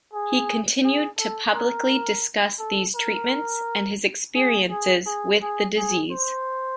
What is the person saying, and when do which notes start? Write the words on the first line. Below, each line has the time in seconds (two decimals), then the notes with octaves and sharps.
He continued to publicly discuss these treatments and his experiences with the disease.
0.13 G#4
0.84 G#4
1.18 A4
1.54 A#4
2.59 A4
2.95 A#4
4.35 G#4
4.70 G#4
5.06 G#4
5.42 G#4
5.77 G#4
6.11 C5